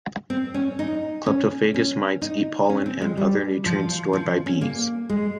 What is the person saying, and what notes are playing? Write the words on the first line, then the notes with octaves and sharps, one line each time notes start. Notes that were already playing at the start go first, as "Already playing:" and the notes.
Cleptophagous mites eat pollen and other nutrients stored by bees.
C4
C#4
D#4
C#4
C#4
D#4
C#4
C4
G#3
G3
F3
F3
F3
C#4
A#3
G#3